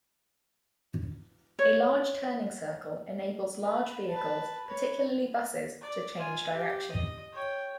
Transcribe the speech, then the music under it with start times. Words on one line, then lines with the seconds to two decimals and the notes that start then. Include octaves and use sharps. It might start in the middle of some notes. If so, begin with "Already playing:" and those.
A large turning circle enables large vehicles, particularly buses, to change direction.
1.59 C#5
3.63 B4
4.08 B4 A5
4.67 B4 C#5
5.81 D5
6.17 F4 G#5
6.52 G4
6.91 D#5
7.33 C#5 G5